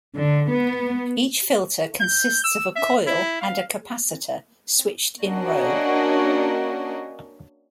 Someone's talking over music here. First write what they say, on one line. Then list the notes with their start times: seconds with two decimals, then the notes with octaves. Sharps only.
Each filter consists of a coil and a capacitor switched in row.
0.15 D3
0.52 B3
2.01 G6
2.44 E6
2.76 E5
3.07 E4
3.41 F5
5.26 A#3 C#4 D4 F#4 D#5